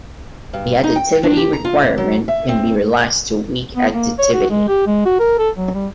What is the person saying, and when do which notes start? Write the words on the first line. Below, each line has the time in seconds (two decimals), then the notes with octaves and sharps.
The additivity requirement can be relaxed to weak additivity.
0.53 G2
0.84 D#4
0.96 G5
1.23 D4
1.37 G4
1.53 A#5
1.65 F4
1.82 A2
1.98 F#3
2.28 E5
2.49 C4
3.76 B3
3.93 A#3
4.19 C#5
4.33 F#4
4.51 G#3
4.69 G4
4.87 G#3
5.06 F#4
5.20 A#4
5.39 A4
5.57 F#3
5.74 G3